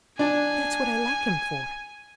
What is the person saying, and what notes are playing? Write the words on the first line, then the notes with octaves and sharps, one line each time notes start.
"That's what I like him for."
D4 G#5 A5